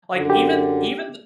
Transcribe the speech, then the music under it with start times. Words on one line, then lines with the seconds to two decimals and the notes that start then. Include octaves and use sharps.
like even, even th
0.12 F#2 D3
0.30 G4